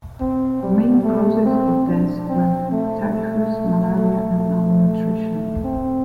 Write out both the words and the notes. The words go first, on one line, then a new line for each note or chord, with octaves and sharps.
Main causes of death were typhus, malaria, and malnutrition.
C4
G3
A3
C4
D4
C4
A3
A3
A3
A3
C4